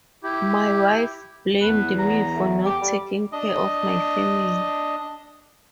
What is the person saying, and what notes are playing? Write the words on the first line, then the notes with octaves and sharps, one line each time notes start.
My wife blamed me for not taking care of my family.
E4 G4
E2 B4
A#5
A3
G4 D6
G3
D4 D#5